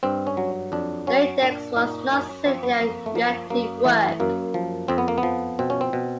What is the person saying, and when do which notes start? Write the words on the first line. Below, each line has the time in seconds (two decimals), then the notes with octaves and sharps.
The "Index" was not simply a reactive work.
0.03 G2 C4
0.27 C#4
0.37 F#3
0.72 F2 D4
1.07 F#3 C#4
1.42 A#2 D4
1.77 A#2 D#4
2.11 F#2 D#4
2.29 C#4
2.46 F3 C4
2.63 B3
2.81 F2 A#3
3.06 A3
3.15 F3 A#3
3.50 F#2 A#3
3.85 E3 A3
4.20 F#2 A#3
4.54 F3
4.88 F2 C4
4.98 B3
5.08 A#3
5.18 B3
5.23 F3
5.59 B2 C4
5.70 C#4
5.81 C4
5.93 B2